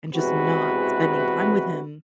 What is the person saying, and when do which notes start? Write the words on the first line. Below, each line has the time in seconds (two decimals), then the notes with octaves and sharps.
and just not spending time with him,
0.14 E2 C3 E3 G#3 F#4 B4